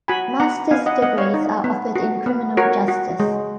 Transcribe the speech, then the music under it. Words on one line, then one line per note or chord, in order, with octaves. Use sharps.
Master's degrees are offered in Criminal Justice.
F#4 G#5 B5
B3 F#5 A#5
B3 F5 G#5
D#5 F#5
B3 D#5 F#5
C#5 F5
D#4
B3
F#4
B3
F#4 A#4 C#5
F#4
G#3